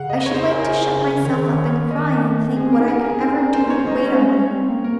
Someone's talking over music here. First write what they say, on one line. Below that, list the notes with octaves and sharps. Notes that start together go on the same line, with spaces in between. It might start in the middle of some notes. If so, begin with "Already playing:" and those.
I should like to shut myself up and cry, and think what I could ever do to wait on you.
Already playing: C#3 F5 F#5
D#5
C#5
C5
A#4
G#4
A#4
D#3 C#5
D#3 D#5
C4 G#4
C#4
D#4 A#4
D#4 A#4
G#4
C#4 A#4
D#4
C#4 A#4
C#4 C5
D#4 C#5
C#4
D#4 D#5
C#4 C#5
C#4
C4
A#3
A#4